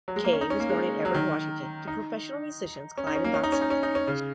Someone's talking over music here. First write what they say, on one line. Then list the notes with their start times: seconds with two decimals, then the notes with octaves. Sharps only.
Kaye was born in Everett, Washington, to professional musicians Clyde and Dot Smith.
0.08 F#3
0.16 G#3
0.24 A#3
0.33 C#4
0.41 D#4
0.50 C#4
0.60 A#3
0.69 G#3
1.05 F#3
1.14 D#3
1.88 D#4
2.98 C#4
3.07 D#4
3.16 C#4
3.24 A#3
3.34 C#4
3.43 D#4
3.52 C#4
3.62 D#4
3.70 C#4
3.83 D#4
3.95 C#4
4.07 C#3